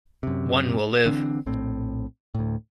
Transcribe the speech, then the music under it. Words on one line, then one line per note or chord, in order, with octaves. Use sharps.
One will live.
F#2 C3
D3 E3 C4 D4
A#1 A2 C4
D2 A2